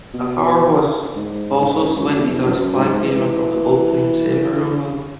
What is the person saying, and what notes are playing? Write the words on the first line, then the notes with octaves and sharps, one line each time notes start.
Ahar was also selected as flag bearer for the opening ceremony.
B2
B2
G#2
G#2
F#2
E2
F#2
G#2
E3